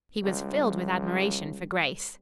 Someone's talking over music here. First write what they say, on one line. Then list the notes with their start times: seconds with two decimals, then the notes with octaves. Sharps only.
He was filled with admiration for Grace.
0.23 C#2 G3 C4